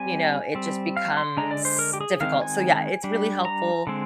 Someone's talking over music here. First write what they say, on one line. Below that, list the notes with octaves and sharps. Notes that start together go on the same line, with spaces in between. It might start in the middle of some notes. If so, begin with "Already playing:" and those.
you know, it just becomes difficult. So, yeah, it's really helpful
Already playing: G3 C4 G#5
G3 C4
F5
C6
D3 G#3 D4 A#5
D5
C5
A#4
G4
G#4
D#3 G#3 C4 F5
G#5
G3 D4
A#5
D3 G#3 C4